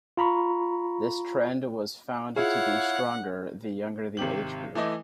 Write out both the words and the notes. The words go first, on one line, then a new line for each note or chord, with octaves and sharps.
This trend was found to be stronger the younger the age group.
F4 A#5 B5 C#6
E4 F4 G#4 C#5 F5 F#5
G#1 C3 G4 F#7
E3 A3 E4 D#5 D6